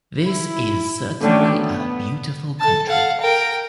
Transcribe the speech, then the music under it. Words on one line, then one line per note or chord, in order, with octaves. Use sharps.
This is certainly a beautiful country!
E4
D3 F#3 A3 C#4 D4 G5
B3
A4 A5
F5 F#5
A#4 G5